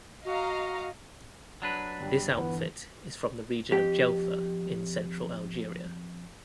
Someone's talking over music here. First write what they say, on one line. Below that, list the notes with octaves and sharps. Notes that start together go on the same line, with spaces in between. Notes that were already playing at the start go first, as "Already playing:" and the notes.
This outfit is from the region of Djelfa of central Algeria.
F#4 D#5 F5 A#5
F#3 D4 B4
G1 G3
E3 B3
F2 G4 G5